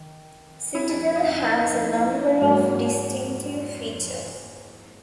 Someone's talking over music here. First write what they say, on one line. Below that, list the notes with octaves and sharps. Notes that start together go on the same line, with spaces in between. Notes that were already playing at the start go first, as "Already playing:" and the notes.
"Citadel" has a number of distinctive features.
Already playing: D#3
E4
D#4
D#4
G#2 F#3 A#3 C#4